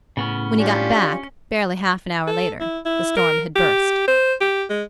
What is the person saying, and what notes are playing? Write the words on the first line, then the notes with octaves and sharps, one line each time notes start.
When he got back, barely half an hour later, the storm had burst.
A2 C#3 B3 C#4
C#4 D4 F4 G4
A4
E4
E4
A#4
G4
C5
G4
G#3